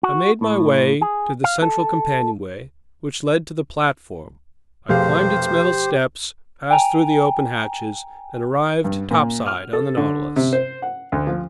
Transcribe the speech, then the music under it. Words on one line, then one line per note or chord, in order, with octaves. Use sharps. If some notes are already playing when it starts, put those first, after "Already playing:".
I made my way to the central companionway, which led to the platform. I climbed its metal steps, passed through the open hatches, and arrived topside on the Nautilus.
F#4
A2
G#4
F5
A4
F1 B2 F3 A3 G4 G#4 C5 F5
G5 G#5 A#5
G2
A#2
F6
A4
D3
C3
C5
F#5
D2
F3